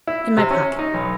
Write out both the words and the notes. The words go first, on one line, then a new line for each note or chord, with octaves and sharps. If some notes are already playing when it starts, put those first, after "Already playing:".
"In my pocket."
E4
C3
C#4
D#4
B1